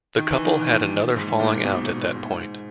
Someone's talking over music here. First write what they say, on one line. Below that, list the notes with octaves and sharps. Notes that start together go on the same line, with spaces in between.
The couple had another falling out at that point.
D#3
E3
D#3
A#2
G#2
A#2
B2
A#2
G#2